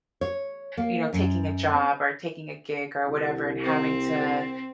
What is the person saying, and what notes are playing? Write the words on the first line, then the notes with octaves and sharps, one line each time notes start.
you know, taking a job, or taking a gig, or whatever, and having to
C#5
A#3
F#2
C4
C2
C4